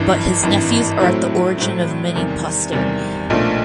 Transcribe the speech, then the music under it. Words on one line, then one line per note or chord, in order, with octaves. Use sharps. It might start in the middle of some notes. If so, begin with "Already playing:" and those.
But his nephews are at the origin of many posterity.
Already playing: G#1 G2 E3
G#1 G2 E3
A2 F#3 A3 C4 E4
A2 F#3 A3 C4 E4
E2 C3 D#3 G3
E2 C3 D#3 G3
B1 A#2 F3 A3 D4